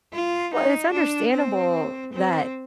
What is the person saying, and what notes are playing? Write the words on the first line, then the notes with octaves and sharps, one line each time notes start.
Well, it's understandable that,
F4
D#4
D4
C4
C4